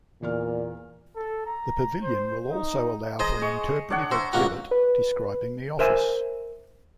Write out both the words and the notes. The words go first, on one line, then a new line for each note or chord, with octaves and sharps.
The pavilion will also allow for an interpretive exhibit describing the office.
E2 A#2 D5 F6
A4
A#5
C5
D#4
G#4 C5 D#5 A#5
G#3 C#6
D4 C#5 F#5
C5 E5 A#5 C#6
C#2 A#3 F#4
B4
A#4 C5 E5 G#5